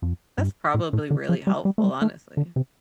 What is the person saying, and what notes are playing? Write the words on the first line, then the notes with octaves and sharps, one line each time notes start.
That's probably really helpful, honestly.
F2
G2
A2
A2
D3
F3
G3
G3
A3
G3
A3
D3
C3